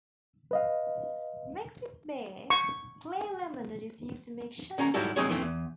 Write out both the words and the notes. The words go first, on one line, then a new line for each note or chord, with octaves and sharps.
Mixed with beer, clear lemonade is used to make shandy.
B4 D#5 F5
C#6
D3 C#4 A#5
G#2 F#3 G3 E4 F#4 A4
F#3 G#3 C4 G#4 C5 C#5
F2 E3 A3 C4
E2